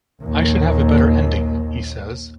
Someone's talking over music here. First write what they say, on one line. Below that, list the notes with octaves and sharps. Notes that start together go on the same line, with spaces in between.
'I should have a better ending,' he says.
A#1 D#2